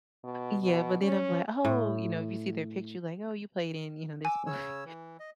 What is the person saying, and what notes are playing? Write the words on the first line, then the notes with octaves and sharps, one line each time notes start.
Yeah, but then I'm, like, "Oh," you know, if you see their picture, like, "Oh, you played in, you know, this movie.
B2
B2
C#4
A2
G#5 D6 E6
C#3 C#5 E6
E3
D#5